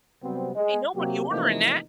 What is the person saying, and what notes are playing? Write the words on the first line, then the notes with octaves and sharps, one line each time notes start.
Ain't nobody ordering that."
C3 F#3 G3 B3 C4
G#3
C3 F#3 A#3 G4
C3 E3 F3 A3 A#3 D#4